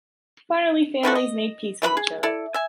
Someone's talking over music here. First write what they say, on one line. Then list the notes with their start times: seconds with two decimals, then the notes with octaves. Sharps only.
Finally, families made peace with each other.
1.03 E3 F3 F#4 A4
1.15 D#5
1.82 E3 A3 B4 B5
1.97 G#4
2.23 E4 A4 D5
2.54 E5 G#5